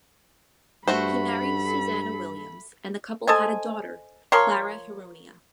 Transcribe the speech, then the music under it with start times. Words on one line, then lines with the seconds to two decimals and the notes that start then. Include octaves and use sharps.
He married Susannah Williams, and the couple had a daughter, Clara Heronia.
0.88 G2 A3 F#4 A4 C5 B5
3.27 A4 C5 D#5 G#5
4.32 F3 A#4 C#5 C6